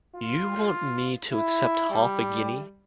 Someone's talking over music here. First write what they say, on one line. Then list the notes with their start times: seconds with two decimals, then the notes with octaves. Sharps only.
You want me to accept half a guinea?
0.16 F4
1.33 E4
1.90 G3